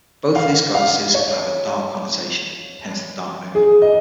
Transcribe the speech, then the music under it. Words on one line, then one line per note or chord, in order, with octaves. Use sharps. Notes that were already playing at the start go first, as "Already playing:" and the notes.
Both of these goddesses have a Dark connotation, hence the Dark Moon.
F5
F5
C#5
G#4
D#5